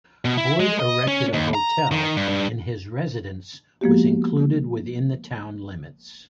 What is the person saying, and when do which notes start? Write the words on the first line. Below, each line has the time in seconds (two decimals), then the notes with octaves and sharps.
Boyd erected a hotel and his residence was included within the town limits.
0.25 B2
0.38 E4
0.60 G#3
0.80 D#5
1.08 C#4
1.33 D#2
1.55 A#5
1.91 D#3
2.17 G2
2.29 G2
3.81 F3 G#3 A#3 B3 F#4 G4